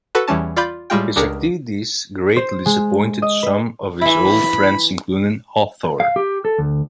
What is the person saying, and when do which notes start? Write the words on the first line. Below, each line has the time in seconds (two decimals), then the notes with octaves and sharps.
His activities greatly disappointed some of his old friends, including Hawthorne.
0.15 F#4 A4 B4
0.28 E2 E3 G3 C#4 A5
0.56 F4 D5 F5 B5 G6
0.90 A2 G3 G#3 F4 G5
1.16 C#2 D4 G4 G#4 A#4 C#7
2.37 C5
2.66 G#3
3.22 D#5
3.43 B4
4.01 E3 E4 B5
6.00 F5
6.16 G4
6.45 A4
6.58 D2